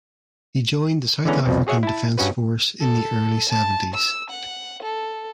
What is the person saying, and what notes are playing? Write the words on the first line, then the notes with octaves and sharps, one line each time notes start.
He joined the South African Defence Force in the early seventies.
D3 E3 G#3 B3 C#4 A#5
C2 F2 B2 C4
F#4 G#4 C#5 E5 F#5
E4 A5
G2 C#4 F#4 B4
A4
A5
E6
F#5
A4